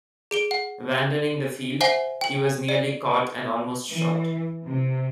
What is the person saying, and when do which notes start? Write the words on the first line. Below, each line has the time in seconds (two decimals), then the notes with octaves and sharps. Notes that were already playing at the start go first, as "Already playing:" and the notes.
Abandoning the field, he was nearly caught and almost shot.
0.31 G#4 D7 G7
0.51 F#5
1.81 C5 E5 F#5 G#5 C7 G7
2.21 G5 F#7
2.69 D5
3.90 E3
4.65 C3